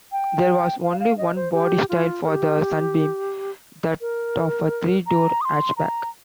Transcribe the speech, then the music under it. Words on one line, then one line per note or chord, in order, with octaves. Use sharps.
There was only one body style for the Sunbeam, that of a three-door hatchback.
G5
F5
F5
D#5
C5
G4
F4
A#4
G4
A#4
A#5
D#6
C6
A#5